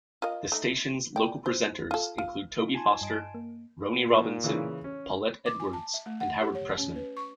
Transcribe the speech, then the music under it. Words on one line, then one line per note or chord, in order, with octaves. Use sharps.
The station's local presenters include Toby Foster, Rony Robinson, Paulette Edwards and Howard Pressman.
F4 A#4 D#5
A3 D#4
D5 G5
C5
F4 A4
F4
D#4 F4
G#5 A5 C6
G2 D#5 D7
A#3
A#2
C#3 E3
C#4
D6
G#5
A5
E5
A3
F#5
G4
C#5
C#4
B4
C#6